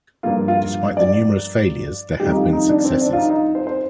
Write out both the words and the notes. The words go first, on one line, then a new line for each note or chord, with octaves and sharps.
Despite the numerous failures there have been successes.
G2 F3 A#3 F4
F4
D5
F2 D#3 G3 G4
D#4
F4
D#4
D4
C4
D4
F4
D#4
F4
D#4
C5
C5